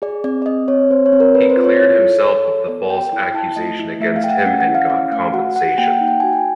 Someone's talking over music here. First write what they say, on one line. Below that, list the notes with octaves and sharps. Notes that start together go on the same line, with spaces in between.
He cleared himself of the false accusation against him and got compensation.
G#4 D5
C4 D5
D5
C4 D#5
C4 C#5
C4 C5
C#5
C4
A#4
C4 B4
C5
F4
C#5
D5
E4 C#5
A4
A4
A4
B3 D5
A4 G5
E4 G5
E4 A5
A3 D#5
E4
A3 E5
F5
A3 G5
F#5
C#4 F#5
F#5
E4
F5
C#4 F5
A3 F5
F#4 F#5
F#4 F#5
A#3 G5
F#5
D#4
G5
F#4 G#5
G5